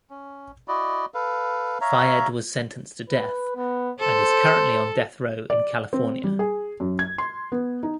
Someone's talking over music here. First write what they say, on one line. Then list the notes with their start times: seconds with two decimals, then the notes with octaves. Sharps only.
Fayed was sentenced to death, and is currently on death row in California.
0.10 C#4
0.68 E4 F#4 D5 D#5
1.14 A4 B4 F5
1.81 C#5 E5 F5 A#5
3.09 B4
3.56 B3
3.99 A4 C5
5.50 D5
5.93 C4
6.24 G3
6.39 G#4
6.80 F#2
6.99 G#6
7.18 C6
7.52 B3
7.83 D#4